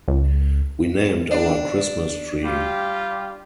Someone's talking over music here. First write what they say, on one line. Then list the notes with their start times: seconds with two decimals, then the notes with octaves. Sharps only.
We named our Christmas tree.
0.08 C#2
1.31 D4
2.44 G3 F4 G4